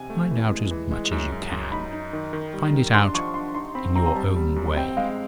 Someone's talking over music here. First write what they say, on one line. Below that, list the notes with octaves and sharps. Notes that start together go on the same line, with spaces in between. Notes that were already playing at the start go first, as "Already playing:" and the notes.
"Find out as much as you can; find it out in your own way."
Already playing: C3 G#5
A3
E3
G#3
E3
G#3
F#2
F#2
F#2
D#4 B5
D#4
D#3
D#3
G3
D#3
D4 C6
F3 C#6
D4 C6
D#4 C6
C4 B5
C4 A#5
A#5
G3 A5
G3
F#2
C4 G5
G#3 F5